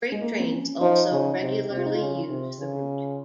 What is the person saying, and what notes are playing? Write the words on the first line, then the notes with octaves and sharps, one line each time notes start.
Freight trains also regularly use the route.
G#3
A#3
C4
C#4
F3 D#4
C#3
C3
C3 G4
F4
D#4
F4
C#3
C3
C#3